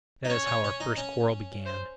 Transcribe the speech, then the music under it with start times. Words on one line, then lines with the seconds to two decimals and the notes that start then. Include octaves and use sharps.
That is how our first quarrel began.
0.25 D#4
0.30 C#4 C#5
0.47 C#4
0.64 C#4
0.80 D#4
0.97 C#4
1.66 C5